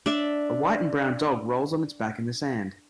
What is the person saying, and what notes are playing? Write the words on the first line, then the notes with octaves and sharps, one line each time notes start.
A white and brown dog rolls on its back in the sand.
D4 D5 E5